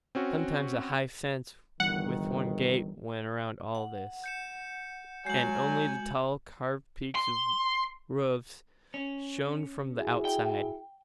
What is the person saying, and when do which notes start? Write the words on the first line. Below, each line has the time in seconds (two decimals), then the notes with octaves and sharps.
Sometimes a high fence with one gate went around all this, and only the tall, carved peaks of roofs showed from the outside.
0.15 C4 C#4 F#4
1.80 G1 D#3 E3 G3 F#5
3.75 F#5
4.24 G6 C#7 E7
5.26 F#3 G#3 F#4 G#5 G6 F#7
7.15 C6
8.94 C#4
9.96 E4 F#4 G#4
10.25 G5